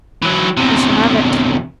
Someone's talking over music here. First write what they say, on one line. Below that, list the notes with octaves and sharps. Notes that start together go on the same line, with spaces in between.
You shall have it.
E3 F#3
E2 C3